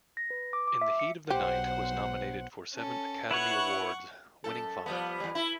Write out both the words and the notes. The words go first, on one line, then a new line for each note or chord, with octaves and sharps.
"In the Heat of the Night" was nominated for seven Academy Awards, winning five.
A#6
B4
D6
D6
E5
C#7
B1 G4 C5 F#5
C#4 A4
E4 B4 C#5 F#5 C#6
F#2 A4
F3 G3 B3
E2 G3
E4